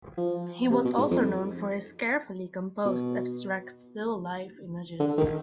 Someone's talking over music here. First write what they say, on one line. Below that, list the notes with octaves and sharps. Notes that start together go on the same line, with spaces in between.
He was also known for his carefully composed abstract still life images.
F3
C3
B2
G#2
F2
B2
D3
D#3